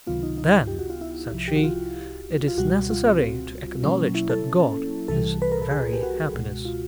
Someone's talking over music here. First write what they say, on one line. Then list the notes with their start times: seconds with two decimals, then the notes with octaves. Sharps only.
'Then,' said she, 'it is necessary to acknowledge that God is very happiness.'
0.07 C#2 C3 D#3 F#3 B3 F4
0.23 D#4
0.38 D#4
0.67 G4
0.79 F#4
0.90 F4
1.01 E4
1.32 C2 C3 F3
1.48 G4
1.56 F#4
1.63 F4
2.48 F4
2.57 C#2 B2 G3 F#4
2.89 F4
3.05 C4
3.83 B2 F#3 A#3 C#4
4.15 E4
4.29 A4
5.08 C2 C3 E3 G3 A4
5.42 B4
5.52 A#4
5.62 A4
5.71 G#4
5.93 G4
6.03 F#4
6.34 C#2 B2 G#3
6.65 F4